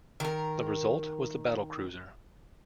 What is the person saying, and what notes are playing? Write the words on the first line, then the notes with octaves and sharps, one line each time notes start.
The result was the battlecruiser.
D#3 A#4